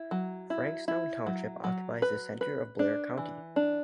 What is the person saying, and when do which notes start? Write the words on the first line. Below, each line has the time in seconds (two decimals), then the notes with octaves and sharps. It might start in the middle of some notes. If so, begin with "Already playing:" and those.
Frankstown Township occupies the center of Blair County.
Already playing: E4
0.11 F#3
0.50 E4
0.88 E4
1.26 F#3
1.64 F#3
2.02 B4
2.41 B4
2.79 D4
3.18 E3
3.56 D4